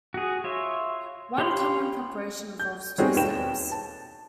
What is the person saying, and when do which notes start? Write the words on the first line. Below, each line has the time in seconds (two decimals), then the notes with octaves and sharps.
One common preparation involves two steps.
0.14 F#4 G#4
0.44 F4 C#5 E5
1.38 G4 C#5 F5 B5 C6
2.60 G6
2.98 G3 C4 C#4 D#4 F#4 G#4
3.15 E1 D#2 B4 G5 E7
3.72 A5